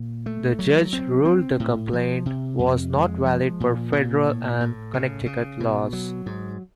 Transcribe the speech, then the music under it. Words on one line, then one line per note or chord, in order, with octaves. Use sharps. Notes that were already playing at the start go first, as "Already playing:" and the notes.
The judge ruled the complaint was not valid per Federal and Connecticut laws.
Already playing: A#2
A3
F#3
C4
C4
A2
F3
C3
F2
G#3
F3
A#2
A#2
A2
A2
C#3
C#3
B2
F#3
G#2